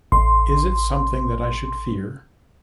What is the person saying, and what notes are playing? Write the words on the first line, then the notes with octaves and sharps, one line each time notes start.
Is it something that I should fear?
A1 C6